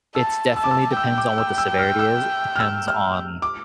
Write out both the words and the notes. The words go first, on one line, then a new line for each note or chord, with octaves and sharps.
it's definitely depends on what the severity is, it depends on
A5 E6
A5 E6
D6
E6
G5 E6
D6
E6
E6
F6
E6
F6
E6
F6
D6